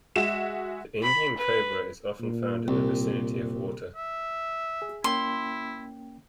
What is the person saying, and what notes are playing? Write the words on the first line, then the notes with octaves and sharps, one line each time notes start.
The Indian cobra is often found in the vicinity of water.
G#3 F#4 E5 E7
B5
B4
A#2
C2
E5
G#4
A#3 C#4 E4 G5 C6